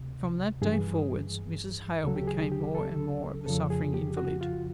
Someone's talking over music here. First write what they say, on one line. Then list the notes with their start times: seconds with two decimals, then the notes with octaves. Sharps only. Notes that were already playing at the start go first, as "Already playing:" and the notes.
From that day forwards Mrs. Hale became more and more of a suffering invalid.
Already playing: D2 C3
0.62 G2 E3 G#4
2.03 D2 C#3 F#3 A4
2.16 G4
2.28 G#4
2.52 G4
2.75 A4
3.46 F2 C#3 F3 A4
3.70 G#4
3.94 G4
4.17 F#4
4.41 F4